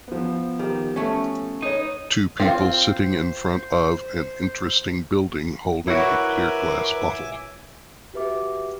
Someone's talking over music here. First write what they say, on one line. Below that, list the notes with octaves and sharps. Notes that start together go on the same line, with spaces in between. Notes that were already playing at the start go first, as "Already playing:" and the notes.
Two people sitting in front of and interesting building holding a clear glass bottle.
F3 B3
D#3 G4
A3 C#4
D#4 B4 C#5
C4 F4 C5
E4 F#4 A#4 B4 C#5 E5 G#5 D6
F#4 G4 B4 E5 D6